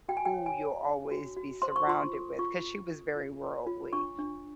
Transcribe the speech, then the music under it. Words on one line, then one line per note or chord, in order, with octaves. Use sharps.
who you'll always be surrounded with- 'cause she was very worldly.
F#4 G5
G#5
G5
C#5
G#5
C#5
D4
F#4
F#4
C5 C6
C#6
F4 C6
A4
F4 C#6
F4
A4
F4
C#5
F4
D4 C#6
D4